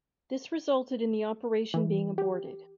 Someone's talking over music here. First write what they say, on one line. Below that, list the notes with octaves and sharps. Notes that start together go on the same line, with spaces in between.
This resulted in the operation being aborted.
E3
G4